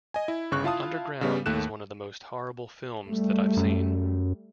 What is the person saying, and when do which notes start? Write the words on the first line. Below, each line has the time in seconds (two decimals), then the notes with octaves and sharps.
"Underground" is one of the most horrible films that I've seen.
0.14 D#5 G#5
0.28 E4
0.51 G1 C#3 C#6 F#6
0.64 E4 F4 F5 A5 D#6
1.21 C#3 G3 B3
1.46 D#2 A3 F#6 E7
3.08 G3 A3
3.57 F#2